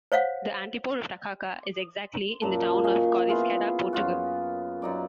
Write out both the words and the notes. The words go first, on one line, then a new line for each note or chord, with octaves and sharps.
The antipode of Takaka is exactly in the town of Coriscada, Portugal.
C5 C#5 F5 F#5
F#2 A#2 A#4 A5
C#5 D#5 F5 G#5
B3 E4 F4 G#4
F#2 F4 F#4
F#2 D#4 D5